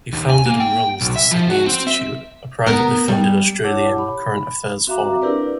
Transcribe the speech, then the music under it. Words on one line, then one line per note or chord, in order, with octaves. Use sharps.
He founded and runs the Sydney Institute, a privately funded Australian current affairs forum.
D#2
G#5
A#3
G5
B1
E5
F3
F#4
C4
E5
B3 A#4
G3
E4 G4 C#5 F#5 A5 D6
B5
C4 F#4 E5 F5 A#5 D6
D4 E4 G4 A#4 B4 D5